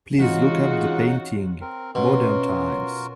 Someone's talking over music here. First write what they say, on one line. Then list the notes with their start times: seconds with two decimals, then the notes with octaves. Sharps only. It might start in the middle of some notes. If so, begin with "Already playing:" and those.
Please look up the painting, Modern times.
0.19 C#3 E3 G#3 C4 D#4 F4 F#4 F#5
1.61 C4 A#4
1.95 B2 C#4 F4 F#4 A#4